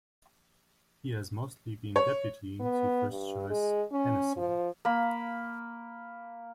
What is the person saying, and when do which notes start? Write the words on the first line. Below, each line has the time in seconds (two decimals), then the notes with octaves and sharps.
He has mostly been deputy to first-choice Hennessey.
1.96 C#5
2.60 B3
3.10 G2
3.50 G#3
3.92 C#4
4.37 F3
4.85 A#3 B5